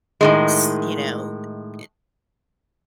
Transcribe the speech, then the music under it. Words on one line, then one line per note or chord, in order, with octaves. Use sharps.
s you know, uh uh
A2 D#3 G#3